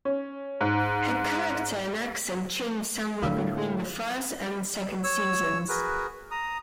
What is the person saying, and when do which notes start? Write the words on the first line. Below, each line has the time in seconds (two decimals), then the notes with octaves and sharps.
Her character and accent changed somewhat between the first and second seasons.
0.05 C#4
0.61 G#2
3.22 A2 D3 D4 F4 A#4 F5
5.04 C#5 E6
5.69 F#4 G#4 A#4 B4
6.31 A#5 D#6